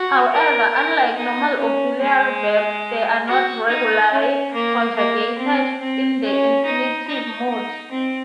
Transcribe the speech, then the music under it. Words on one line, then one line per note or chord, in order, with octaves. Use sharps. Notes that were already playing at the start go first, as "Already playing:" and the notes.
However, unlike normal auxiliary verbs, they are not regularly conjugated in the infinitive mood.
Already playing: F#4
A#4
A#4
D#4
C#4
G#3
F#4
D#4
C#4
A#3
A#3
C4
C4
C#4
D#4
D#4
D#4
C4